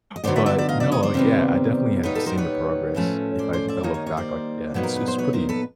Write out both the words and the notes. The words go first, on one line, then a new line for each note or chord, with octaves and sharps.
but no, like, yeah. I definitely have seen the progress. If I if I look back, like, yeah, it's it's pretty
D#5
D3 F#3 B3 D#4 C5 D5
D5 E5
D5 E5
D5 E5
D#5 F5
D5 E5
C#5 D#5
C5 D5
C3 D#3 G3 B3
A#2 G3 B3 D#4 B4 C#5
A4 B4
A#4 C5
B4 C#5
A2 F3 A3 C#4
C5 D5
C5 D5
D5 E5
D#3 G3 A#3 D#4 C#5 D#5
C#5 D#5
C#5 D#5
C5 D5
A#2 F#3 B3 D#4
A#4
B4
C5
B4 C#5
A#4 C5
A4 B4